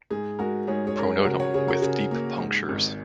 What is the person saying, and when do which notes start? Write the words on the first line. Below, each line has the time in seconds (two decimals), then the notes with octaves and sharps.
Pronotum with deep punctures.
0.10 G#2 G#4
0.39 G#3 F#4 A#4
0.67 G#2 G#4 C#5
0.87 G#4 C#5
0.96 C#4 A#4
1.06 G#4
1.25 C#3 F#4 A#4
1.40 C#5 F#5
1.54 C#3 G#4 C#5
1.68 F#4 A#4
1.82 C#3 G#4
2.11 A#3
2.40 G#2
2.69 G#1